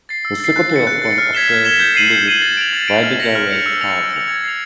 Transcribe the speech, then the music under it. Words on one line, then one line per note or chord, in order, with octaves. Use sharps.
The Secretary of Foreign Affairs is Luis Videgaray Caso.
A6 C7
E6
A6 C7
F#6
A6 C#7
F#6
A6 C#7
F6
G#6 B6 E7 G7
F6
G#6 B6 E7 G7
G6
C7 D#7 F#7
G6
C7 D#7 F#7
A6
D7 F7
A6
D7 F7
F6
A#6 C#7 F7
F6
A#6 C#7 F7
E6
A6 C#7 F7
E6
A6 C#7 F7
G#6
C7 F7